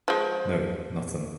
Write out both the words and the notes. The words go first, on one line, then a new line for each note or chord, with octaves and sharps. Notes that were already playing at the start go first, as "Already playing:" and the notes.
No nothing.
F3 G#3